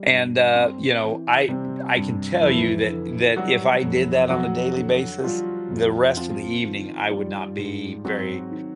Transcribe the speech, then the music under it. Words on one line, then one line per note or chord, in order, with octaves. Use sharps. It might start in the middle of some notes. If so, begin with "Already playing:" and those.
And, uh, you know, I I can tell you that that if I did that on a daily basis, the rest of the evening, I would not be very
Already playing: G3
G2
C4
E3
C3 G3 C4
G2
F2 E3 E4
D3
F#3 G3 F#4
F2
F2 F#3 F#4
D3
F3 G3 F4
F2
F3 C4 F4
D#3
G3
G#2
F#3 C4 F#4
D#3